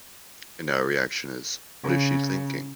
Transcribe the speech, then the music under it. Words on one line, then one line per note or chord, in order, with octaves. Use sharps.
And our reaction is 'What is she thinking?
C#3